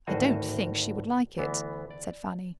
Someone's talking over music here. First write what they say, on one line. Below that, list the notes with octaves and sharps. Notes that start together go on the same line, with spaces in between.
"I don't think she would like it," said Fanny.
G#1 D2 A2 F#4 C5 G#5
D2 E3 B3
D5